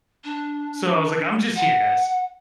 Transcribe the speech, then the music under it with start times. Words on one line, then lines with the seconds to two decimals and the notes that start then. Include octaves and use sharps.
So I was like, "I'm just here, guys,"
0.24 D4
1.56 F#5